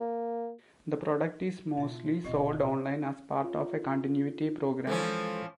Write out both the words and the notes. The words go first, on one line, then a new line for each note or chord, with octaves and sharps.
The product is mostly sold online as part of a continuity program.
A#3
B2 D#4 F4 E5
D#1 B2 C4 G4 D#5 E5
F4
E3 F3 G#3 C#4 A4 C5